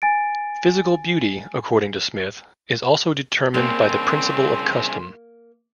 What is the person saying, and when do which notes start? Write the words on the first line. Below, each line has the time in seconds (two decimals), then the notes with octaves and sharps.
Physical beauty, according to Smith, is also determined by the principle of custom.
0.02 G#5 A6 D7
3.54 C2 C#3 A#3 C4 C6